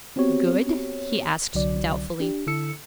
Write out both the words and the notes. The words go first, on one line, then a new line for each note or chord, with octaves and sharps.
'Good?' he asked doubtfully.
B3 C4 F#4 G4 C#5
C2 D3 F#3 D5
D4 G4
D3 E4 A4 E6 C#7